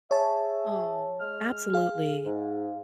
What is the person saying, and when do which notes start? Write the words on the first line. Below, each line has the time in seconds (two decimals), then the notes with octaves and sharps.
Oh, absolutely.
0.11 G#4 C#5 E5 A5
1.20 G#3 F6
1.73 G#4 F5
2.25 G#2